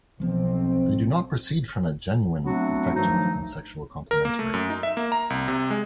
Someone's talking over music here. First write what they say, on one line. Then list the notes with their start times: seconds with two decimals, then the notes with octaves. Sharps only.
They do not proceed from a genuine effective and sexual complementary.
0.20 B1 E3 F3 B3 C4
2.43 F#3 A3 B3 C4 D4 F#4
2.95 G2 D#3 F3 F#3 A3 D#4
4.11 A#4
4.25 A#3
4.39 A3
4.54 F#2
4.70 D#4
4.83 E5
4.97 A#3
5.12 A#5
5.30 C2
5.48 C3
5.70 G#3